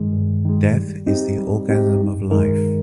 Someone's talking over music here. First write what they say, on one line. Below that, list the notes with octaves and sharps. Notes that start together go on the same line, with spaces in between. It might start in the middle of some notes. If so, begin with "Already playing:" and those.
Death is the orgasm of life!
Already playing: G2 D#3 G#3
G2
D#3 G#3
G3
C4 D#4 G4
G3
C4 D#4 G4
G2
D#3 G#3 D#4 A#4